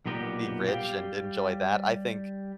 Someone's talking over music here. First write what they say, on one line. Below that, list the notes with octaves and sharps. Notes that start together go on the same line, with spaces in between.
be rich and enjoy that. I think
B1 A#2 B3 G4 A#4 D5
G3 G4 F5 G5